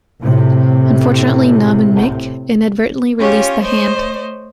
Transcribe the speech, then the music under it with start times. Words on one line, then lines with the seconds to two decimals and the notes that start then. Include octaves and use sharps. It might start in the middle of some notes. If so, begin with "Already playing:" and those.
Unfortunately Pnub and Mick inadvertently release the hand.
0.23 A2 C3
3.19 C#4 F4 G4 C#5
3.64 A3 C5 C#5 D#5